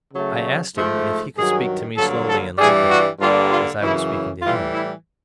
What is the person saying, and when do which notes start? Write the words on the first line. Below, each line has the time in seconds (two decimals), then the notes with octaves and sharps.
I asked him if he could speak to me slowly in Latin, as I was speaking to him.
0.12 C#3 F#3 A3
0.75 G#2 F3 A3
1.35 G2 D#3 F#3 G#4
1.96 G2 D3 F#3 A#3 A4
2.28 A4
2.58 G2 E3 G3 G#4
2.89 F#4
3.19 G2 D3 G3 A#3 F4
3.50 F4
3.81 F#2 C#3 E3 E4
4.12 E4
4.42 A2 E3 G3 F4
4.73 E4